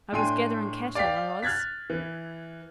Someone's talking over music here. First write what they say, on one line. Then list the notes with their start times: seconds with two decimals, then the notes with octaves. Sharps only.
I was gatherin' cattle, I was.
0.12 A2 D4 G5 G#5 C6 D#7
0.95 D5 F5 G5 B6
1.42 F6 F#6 G#6 A6 B6
1.90 E3